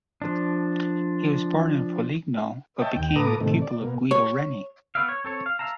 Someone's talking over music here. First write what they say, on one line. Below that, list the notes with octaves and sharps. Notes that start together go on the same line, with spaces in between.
He was born in Foligno, but became a pupil of Guido Reni.
F3 D4
C#5 D#5 E5 G5 A5
D#2 G5
A2 A4 B4 A#5 D6 D#6
A2 C3 D#3 A3
D5
B2 A#3
C#5
B3 B4 D5 E5 F5
C#5
C4 A4 C#5
F5
E5 F5 A5 A#5